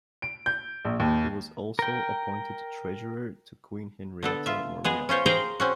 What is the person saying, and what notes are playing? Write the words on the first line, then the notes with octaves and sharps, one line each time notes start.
He was also appointed treasurer to Queen Henrietta Maria.
D7
G6
A#1
D#2
A#4 G5
D3 B3 A4
F4 E5
G#3 B3 G#4
C#4 F4 C5 C#5
G#4 A#4 C5 F5 G5 A#5
C4 C#4 F#4